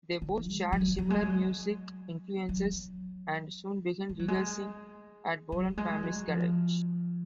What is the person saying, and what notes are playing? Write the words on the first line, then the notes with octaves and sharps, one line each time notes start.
They both shared similar music influences and soon began rehearsing at Bolan family's garage.
D3
G#3
F#3
F#3
G#3
F#3
F#3
G#3
F#3
G#3
F#3
G#3
F#3
F3